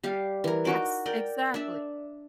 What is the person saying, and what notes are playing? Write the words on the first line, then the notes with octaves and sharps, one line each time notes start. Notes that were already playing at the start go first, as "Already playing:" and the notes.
Yes, exactly.
G3 G4 F5
E3 A#4
D#4 F#4 D6
A#4 D5 G5
D4 E5